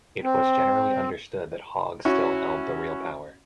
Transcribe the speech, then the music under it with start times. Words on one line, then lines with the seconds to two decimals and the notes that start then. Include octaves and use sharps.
It was generally understood that Hague still held the real power.
0.24 C4
2.05 C#4 E4 F#4